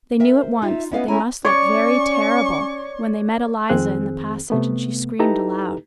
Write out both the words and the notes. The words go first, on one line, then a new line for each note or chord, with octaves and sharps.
They knew at once that they must look very terrible when they met Eliza in the passage, and she screamed aloud.
A#4 E5 G5
C5
D#4 F4 E5
B3 C#4 E4 D#5 F5
A3 C#4 E4 G#5 A#5
C#4 C#5 D5 C#6
F2 D#3 C4 G#4 F#6
C3 A3 B3
D#4 E4 G4 A4 B4 A#5